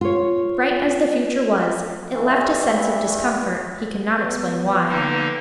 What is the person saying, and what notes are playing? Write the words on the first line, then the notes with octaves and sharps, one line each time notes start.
Bright as the future was, it left a sense of discomfort, he could not explain why.
F4 C#5
G2 E3
B3
D3 A#3 D#4